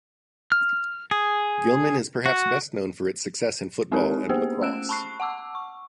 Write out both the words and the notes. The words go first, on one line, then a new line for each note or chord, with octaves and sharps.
Gilman is perhaps best known for its success in football and lacrosse.
F6
G#4
F#4
G#3 C4 D#4 G4 A4 A#4
A#3 B3 G4 G#4 C5
A3 C#4 E6 F#6 D7 E7
A5 B5 C#6 F#6 C7
F#5 A5 D6 E6
C#6